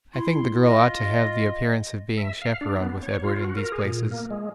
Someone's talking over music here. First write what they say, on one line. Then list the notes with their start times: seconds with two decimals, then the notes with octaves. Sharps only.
I think the girl ought to have the appearance of being chaperoned with Edward in these places.
0.14 E4 C6
0.64 F4 D#5
2.18 E5
2.42 F5
2.61 D4
2.81 B3
3.03 C#5
3.24 F4
3.44 F#4
3.57 A#4
3.72 G#4
3.84 A#2
4.11 A#3
4.30 G#3